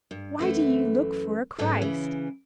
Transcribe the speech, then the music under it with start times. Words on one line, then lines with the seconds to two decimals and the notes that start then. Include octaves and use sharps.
Why do ye look for a Christ?
0.11 G2
0.39 F#2 E3 A3
1.58 G#2 F#3 B3 C#4 A4
1.81 C#3 E3